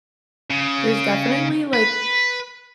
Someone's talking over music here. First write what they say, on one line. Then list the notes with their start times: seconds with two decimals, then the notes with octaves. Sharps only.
There's definitely, like,
0.50 C#3
1.73 B4